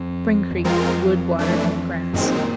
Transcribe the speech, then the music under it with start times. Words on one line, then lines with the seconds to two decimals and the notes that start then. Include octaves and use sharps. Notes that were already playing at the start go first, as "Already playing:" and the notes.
Spring Creek.--Wood, water, and grass.
Already playing: F2
0.51 E2
0.64 F2 F3 G#3 C4 F4 A#4
1.39 E3 A3 D4
2.14 F#2 A#2 D#3 G#3 C4